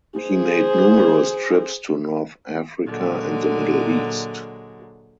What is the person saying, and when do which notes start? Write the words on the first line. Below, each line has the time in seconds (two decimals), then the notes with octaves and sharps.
He made numerous trips to North Africa and the Middle East.
0.20 G#4 C5
2.85 A#2 D3 F#3 G#3